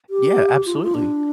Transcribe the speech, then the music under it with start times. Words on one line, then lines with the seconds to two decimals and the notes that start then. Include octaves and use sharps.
Yeah, absolutely.
0.10 G4
0.66 F4
0.74 E4
0.82 F4
0.94 D4